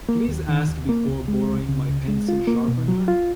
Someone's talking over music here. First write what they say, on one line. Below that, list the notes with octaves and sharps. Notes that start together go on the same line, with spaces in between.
Please ask before borrowing my pencil sharpener.
A#3
D#2
D#3
D#2
A#3
C#2
G#3
C#2
C#3
C#2
G#3
F4
A#3
B2
F#3
F4